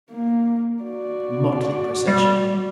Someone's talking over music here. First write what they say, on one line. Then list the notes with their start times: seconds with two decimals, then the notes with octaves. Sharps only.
Motley procession!
0.10 A#3
0.83 F#4 D5
2.07 G3